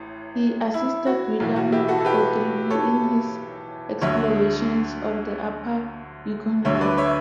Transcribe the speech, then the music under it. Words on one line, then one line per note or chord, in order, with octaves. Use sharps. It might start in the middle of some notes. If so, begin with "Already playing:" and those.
He assisted William Ogilvie in his explorations of the upper Yukon River.
Already playing: A1 A2
E4
F#4
B1 A2 E3
F#4
E4 G4
F#4 A4
A4
G4 B4
A4 C#5
D2 D3 F#3 C#5 E5
D2 D3 F#3 C#5 E5
B4 D5
C#5 E5